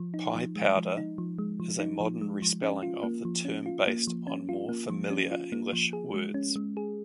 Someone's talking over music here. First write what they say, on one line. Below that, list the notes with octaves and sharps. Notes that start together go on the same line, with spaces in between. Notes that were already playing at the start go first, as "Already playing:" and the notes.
"Piepowder" is a modern respelling of the term based on more familiar English words.
Already playing: F3
D#4
F3
G#3
F3
D#4
F3
G#3
F3
D#4
F3
G#3
F3
C#4
F4
A#3
F3
C#4
F4
A#3
F3
C#4
F4
A#3
F3
C#4
F4
A#3
F3
G#4
G#3
C#4
G#3
G#4